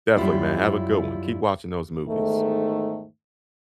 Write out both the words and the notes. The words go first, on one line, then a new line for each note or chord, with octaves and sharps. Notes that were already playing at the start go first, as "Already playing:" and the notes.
Definitely, man, have a good one. Keep watching those movies.
F#2 G3 E4 F4
E2 G#2 D#3 A3